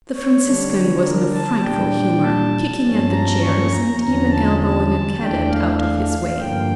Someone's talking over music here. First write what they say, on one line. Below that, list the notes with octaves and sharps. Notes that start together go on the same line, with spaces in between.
The Franciscan was in a frightful humor, kicking at the chairs and even elbowing a cadet out of his way.
C#5
D3 G3 D4
A#4
A5
A#2 G3 D4 G5
A5
G2 F3 C#4
A#5
C#6
A#5
E2 D3 F3 C#4 A#5
A5
A5
E2 E3 A3 D4 G5
F5
F5
F5
G2 D3 F3 A#3 G5